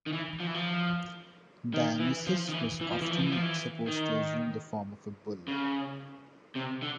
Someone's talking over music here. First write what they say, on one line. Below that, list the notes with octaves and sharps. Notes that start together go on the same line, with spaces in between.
Dionysus was often supposed to assume the form of a bull.
D#3
E3
F3
E3
F3
D#3
E3
F3
D#3
E3
E3
F3
E3
F3
E3
F3
E3
D#3
C#3
C3
D3